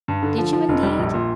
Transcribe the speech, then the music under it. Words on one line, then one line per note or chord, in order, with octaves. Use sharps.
"Did you indeed?"
G2
D3
F3
F3
F1
G3
A#1
A#2